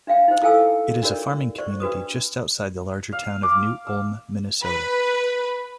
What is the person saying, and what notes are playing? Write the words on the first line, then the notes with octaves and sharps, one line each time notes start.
It is a farming community just outside the larger town of New Ulm, Minnesota.
D4 E5 F5 G5
D#4 C5
E4 A4 F5 G5 G#5 E6
D4 D#4 F#4 A#4 C#5 D5
C5 D5 C#6
D4 F#4 B4 D#6
F5
D6
E6
B4